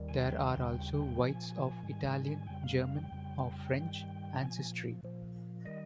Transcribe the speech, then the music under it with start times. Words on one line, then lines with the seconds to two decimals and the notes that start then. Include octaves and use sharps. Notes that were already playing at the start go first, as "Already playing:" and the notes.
There are also whites of Italian, German, or French ancestry.
Already playing: D#2 D#3 G3
0.09 G#5
0.23 G5
0.40 F5
0.55 D#2 C#3 G3 G5
1.19 A#2 F3 G#5
1.83 G#2 D#3 G3
2.47 F2 C#3 G3 G5
2.64 F5
2.79 F5
2.95 G5
3.12 F2 C#3 G3
3.75 G2 D#3 G3
4.38 A#2 F3 G#5
5.03 A#2 F3
5.65 D#3 G3 D#5